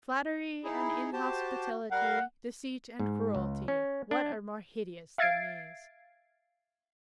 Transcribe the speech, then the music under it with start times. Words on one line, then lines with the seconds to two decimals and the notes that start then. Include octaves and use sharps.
Flattery and inhospitality, deceit and cruelty,--what are more hideous than these?
0.64 D#4 E4 G#4
1.13 F#4 G4 C5 A5
1.91 G3 A#4 F5 F#5
2.99 G#2
3.35 C#2
3.68 C#4
4.11 D4
5.18 E5 F5 G#6 A6 C7 D7